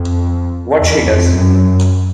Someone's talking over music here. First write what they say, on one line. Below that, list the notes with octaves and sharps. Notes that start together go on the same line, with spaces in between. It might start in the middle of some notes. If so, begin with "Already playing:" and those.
What she does !
Already playing: F2
E2
F2
F#2